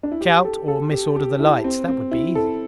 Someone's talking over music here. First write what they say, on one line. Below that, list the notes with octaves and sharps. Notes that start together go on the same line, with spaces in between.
Shout, or mis-order the lights. That would be easy.
D4
E4
G4
A4
A4
G4
G4
E4
C4
C4
E4
A4